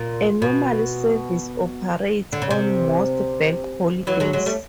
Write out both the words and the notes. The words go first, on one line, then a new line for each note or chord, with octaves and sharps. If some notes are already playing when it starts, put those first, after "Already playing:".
A normal service operates on most Bank holidays.
Already playing: A#2
B2
D3
C#3
C3
E3 F#3
F#3 G#3
F#3 G#3
G3 A3